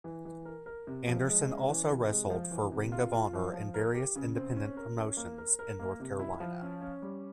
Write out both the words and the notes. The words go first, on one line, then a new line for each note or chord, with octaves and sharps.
Anderson also wrestled for Ring of Honor and various independent promotions in North Carolina.
E3
E3
A#4
A#4
C3
F3
G#3
C#4
E3
C3
G#3
F3
E3
C3
F4
F4
F3
F3
A#4
G4
C#3
C4
C#4
A#4
C#4
A#3
A#4
A#4
A#3
C3
E4
F3
C#4
C#4
G3